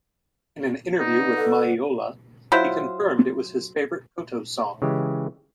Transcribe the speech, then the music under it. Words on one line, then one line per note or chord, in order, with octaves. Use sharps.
In an interview with Maiola, he confirmed it was his favourite Koto song.
B2 D#4 D5
A4 F#5
F#3 E4 F4 C5
C#3 E3 G#3 G4